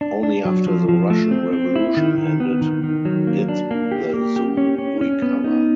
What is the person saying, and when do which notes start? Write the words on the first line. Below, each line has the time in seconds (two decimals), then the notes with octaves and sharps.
Only after the Russian Revolution ended did the zoo recover.
0.01 D4
0.23 D4
0.45 F#3
0.66 F3
0.89 F3
1.10 A3
1.31 C4
1.53 C4
1.76 E4
1.97 D#3
2.18 D#3
2.40 B3
2.61 D#3
2.84 D#3
3.05 F#3
3.27 A#3
3.48 D4
3.71 A#3
3.92 G4
4.14 A#3
4.36 G4
4.57 C#4
4.78 C#4
5.01 C#4
5.22 B3
5.44 D#4